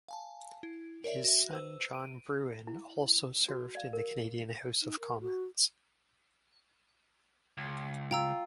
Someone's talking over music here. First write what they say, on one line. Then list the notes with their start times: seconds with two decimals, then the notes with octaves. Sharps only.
His son John Brewin also served in the Canadian House of Commons.
0.08 F5 G#5 A5
0.63 E4
1.04 A#4 C#5 D5 E5
1.24 F#4 E5
1.51 B4 C5 E6
1.93 D7 D#7
2.67 E4
3.49 F#4
3.75 D5 F5
3.93 A#4
4.82 D#4
5.00 A#4
5.20 F#4
7.57 C#2
8.11 F4 G5 A#5 E6